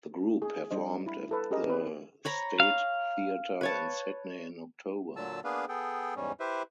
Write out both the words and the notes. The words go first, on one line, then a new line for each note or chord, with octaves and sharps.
The group performed at the State Theatre in Sydney in October.
G#4
G3 D4 C5 D#5
E4 B5
E4 A4 B4
C#4 G4 G#4 A#4 D#5
C4 B4
C#5 A#5 B5
F5
B4 C#5 A5
A#2 D3 F#3 A5 E6
A#3 B3 D4 G#4 B4 F5
B3 G#4 A4 G5
E2 G#2 G3 C#4
E4 G4 B4 C5 E5